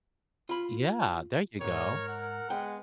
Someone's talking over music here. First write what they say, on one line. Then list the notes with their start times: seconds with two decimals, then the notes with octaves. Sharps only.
Yeah, there you go.
0.49 F4 B5
1.61 C2 G#2 A#4 C#5
2.08 F#5
2.50 G#3 B3 G5